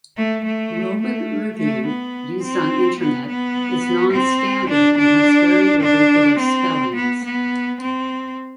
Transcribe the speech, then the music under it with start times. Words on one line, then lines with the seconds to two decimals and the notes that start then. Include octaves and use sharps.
Roman Urdu used on Internet is non standard and has very irregular spellings.
0.17 A3
0.44 A3
1.01 A3
1.58 A3
1.86 B3
2.43 C4
3.00 B3
3.28 B3
4.12 C4
4.69 D4
4.98 D4
5.82 D4
6.39 C4
6.96 B3
7.24 B3
7.81 C4